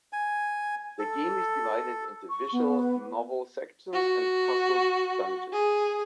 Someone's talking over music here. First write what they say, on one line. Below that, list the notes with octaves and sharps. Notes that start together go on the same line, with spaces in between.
The game is divided into visual novel sections and puzzle dungeons.
G#5
A4
C#6
B3
F#4
G#4